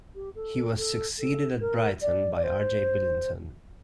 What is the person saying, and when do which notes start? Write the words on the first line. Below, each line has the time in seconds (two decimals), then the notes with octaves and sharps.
He was succeeded at Brighton by R. J. Billinton.
0.14 G4
0.35 A4
0.76 A4
1.18 A4
1.60 A#4
2.01 D5
2.35 D5
2.43 C5